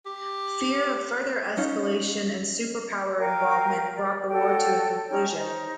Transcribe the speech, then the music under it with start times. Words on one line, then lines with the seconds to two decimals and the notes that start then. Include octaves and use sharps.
Fear of further escalation and superpower involvement brought the war to a conclusion.
0.06 G4
1.57 C#4 D#4 F5
3.17 A#4 F5 G5 G#5
3.94 D5
4.29 F#4 A4 C#5 G5
5.08 C#4 D#4 C#5 G5
5.34 D#4 C5